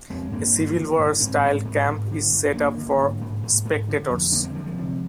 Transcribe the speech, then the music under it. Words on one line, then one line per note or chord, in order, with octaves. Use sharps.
A Civil-War style camp is set up for spectators.
F2 G#3 C4
G2 A#3 D4
G2
D3
G2
G#2 G#3 C4
G#2
G#2
G#2
D3
G2
G2 A#3 D4
D3
G#2
G#2
G#2
G#2
D3
F2
D3 A#3 D4
G#3 C4
D3 F3 G#3
F3 G#3
C3